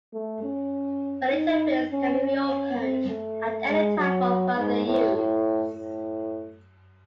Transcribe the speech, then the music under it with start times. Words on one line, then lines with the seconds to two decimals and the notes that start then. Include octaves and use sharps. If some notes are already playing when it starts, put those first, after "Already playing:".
The interface can be reopened at any time for further use.
0.14 A3
0.43 C#4
1.32 D#4
1.91 C#4
2.21 C#4
2.80 C4
3.09 A3
3.68 G#3
3.98 F#3
4.57 G#2
4.86 A2
5.16 A2
5.75 A2